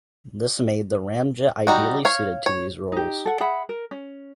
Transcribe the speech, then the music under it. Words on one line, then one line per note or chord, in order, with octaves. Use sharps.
This made the ramjet ideally suited to these roles.
G3 D#4 F#4
C#5 F5
C#5
D#4 G4
A4 F#5
G#4 E5 F#5 B5
A#4
C#4